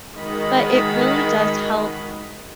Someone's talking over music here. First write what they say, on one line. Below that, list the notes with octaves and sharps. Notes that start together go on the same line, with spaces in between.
But it really does help,
D#3 G#3 F#4 D#5 B5